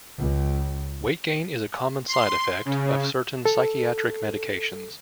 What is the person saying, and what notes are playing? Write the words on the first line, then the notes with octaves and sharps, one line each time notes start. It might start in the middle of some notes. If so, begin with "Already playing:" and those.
Weight gain is a common side-effect of certain psychiatric medications.
C#2
C6
C#3
A4